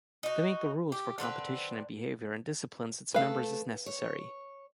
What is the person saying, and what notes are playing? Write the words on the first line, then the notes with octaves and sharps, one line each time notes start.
They make the rules for competition and behavior and disciplines its members as necessary.
D#4 F#4
G4
D3 C4 D4 B4
A3 A4 B4 F5
C#5